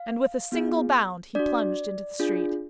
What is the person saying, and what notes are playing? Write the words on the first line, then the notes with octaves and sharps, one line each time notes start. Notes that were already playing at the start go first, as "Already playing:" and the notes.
And with a single bound he plunged into the street.
Already playing: F5
B3 F4 G#4
D4 F#4 D5
D4 F4 G#4